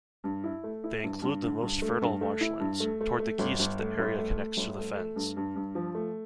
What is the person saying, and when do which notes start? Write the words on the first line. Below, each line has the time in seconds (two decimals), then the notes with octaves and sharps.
They include the most fertile marshlands; towards the geest the area connects to fens.
0.24 G2
0.44 E4
0.64 A3
0.84 E4
1.03 G2
1.22 G2
1.42 D3
1.62 G2
1.82 A3
2.01 G2
2.21 A3
2.41 E4
2.60 G2
2.80 A3
3.01 A3
3.19 A3
3.39 G1
3.59 G1
3.79 A3
3.99 G1
4.18 A3
4.38 A3
4.57 G1
4.78 A3
4.97 A3
5.16 G2
5.37 G2
5.56 G2
5.75 F3
5.95 A3